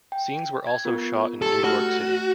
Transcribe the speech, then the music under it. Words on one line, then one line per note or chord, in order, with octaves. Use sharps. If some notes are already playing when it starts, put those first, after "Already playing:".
Scenes were also shot in New York City.
G5
G#6
B3 F4 A#4
G4 A4 A5
A3 F#4 F6